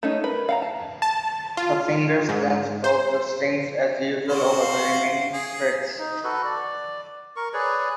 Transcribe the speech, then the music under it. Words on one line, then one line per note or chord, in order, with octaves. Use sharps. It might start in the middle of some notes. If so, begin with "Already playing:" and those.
The fingers then stop the strings as usual over the remaining frets.
A3 C#4 D#4
A#4 B4
F5 F#5 A#5
A5
A5
F4
G#2
C5
F#4 C5
F5
G#4
D#4
F#4 A4 B4
D5
A#4 C#6
G#4 B4 C#5 D5